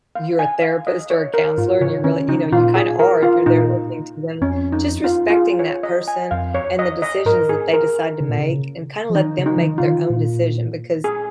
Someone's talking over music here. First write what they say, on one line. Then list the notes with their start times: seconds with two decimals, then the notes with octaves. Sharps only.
you're a therapist or a counselor and you really you know, you kind of are if you're there listening to them. Just respecting that person and the decisions that they decide to make and kinda let them make their own decision because
0.15 F5
0.39 G#5
0.62 F5
0.87 D#5
1.10 C#5
1.34 A#4
1.58 G#2 F4
1.81 C#3 C#5
2.04 D#3 C#4
2.28 C#3 D#4
2.52 A#2 F4
2.75 G#4
3.00 A#4
3.23 F4
3.46 A#2 D#4
4.41 F2 C#4
4.72 D#4
5.04 F4
5.30 F4
5.36 G#4
5.59 C#5
5.83 D#5
6.08 G#5
6.31 F2 F5
6.55 C#5
6.79 D#5
7.02 D#5
7.25 G#2 A#4
7.49 G#4
7.73 A#4
8.20 C#3
8.29 A#2
8.38 C#3
9.10 F3
9.15 D#3 D#4
9.38 C#3
9.46 D#4
9.57 F3
9.63 D#3
9.78 C#3 F4
9.86 D#3
10.10 A#2
11.04 G#4